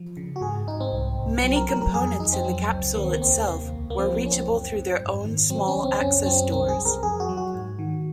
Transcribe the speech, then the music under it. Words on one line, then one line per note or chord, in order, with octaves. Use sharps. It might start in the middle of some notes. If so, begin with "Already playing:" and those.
Many components in the capsule itself were reachable through their own small access doors.
Already playing: F3
C#3
F#4
G#2 G#4
G#2 D#4
C4
C2
C2
F#3 C4
A#4
F#3 A#4
A#4
F2 G#4
G#4
F2 D#4
C4
F#3
C#2
D#3 A#3
C4
A#3
D#2 C4
C3 A#3
C#2
A#3
F3 C4
A#3
C#2 C#4
C4
F#2
F#2
G#2
D#3
F#3 C4
C#4
C#2
C4
F#2 C#4
C#4
F#3 C4
C2 C4
G#4
C2
A#4
F2 G#4
F#4
F#3
F#4
G#2
D#3